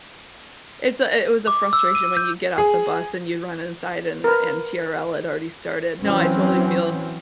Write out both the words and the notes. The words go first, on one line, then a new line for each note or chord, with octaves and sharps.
It's a i it was a frustration when you get off the bus and you'd run inside and and TRL had already started. No, I totally feel
D6
E6
D#7
G6
G#4
A#4 B4
E3 F#3 C4 C#4